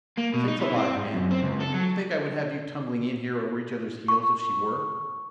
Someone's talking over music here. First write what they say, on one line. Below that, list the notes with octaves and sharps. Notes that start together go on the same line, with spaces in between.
"Saints alive, man, do you think I would have you tumbling in here over each other's heels if she were?"
A#3
B2
D#4
E3
C4
G#2
F#2
C4
C#2
A4
F#3
C#6